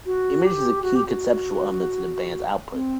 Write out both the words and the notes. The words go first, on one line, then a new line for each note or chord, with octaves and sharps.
Image is a key conceptual element to the band's output.
F#4
G4
F#4
G4
F#4
C4